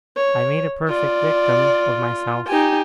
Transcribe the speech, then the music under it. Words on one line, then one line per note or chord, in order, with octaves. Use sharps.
I made a perfect victim of myself.
C#5
F4 D5
D#4 G4 G#5